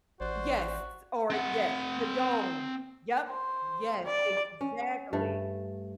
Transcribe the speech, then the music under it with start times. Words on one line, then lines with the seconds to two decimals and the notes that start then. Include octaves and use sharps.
Yes, s or yes, the dome. Yep. Yes, exactly.
0.20 A1 F#4 C5 D5
1.30 C4 F#5
3.28 C5
4.05 D5
4.61 C#4
5.13 G2 A3